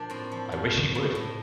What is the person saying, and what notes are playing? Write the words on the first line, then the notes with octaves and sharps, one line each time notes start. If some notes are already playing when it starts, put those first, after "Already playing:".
I wish he would!
Already playing: A#2 F3 D4
A2 C4
F3
F3
A2
A2
A2